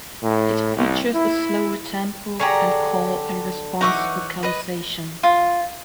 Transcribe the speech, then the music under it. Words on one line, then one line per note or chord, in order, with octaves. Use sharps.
It features a slower tempo and call and response vocalization.
A2
C2
E4
D3 G4 G#4 C#5 A#5
E3 D#4 C#5 F#5 C#6 D6
B4 D#5
F4